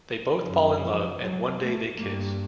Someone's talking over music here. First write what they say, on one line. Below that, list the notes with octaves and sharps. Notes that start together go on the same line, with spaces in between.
They both fall in love and one day they kiss.
F#2 C#3
F3
F#3
A3
G2 A#3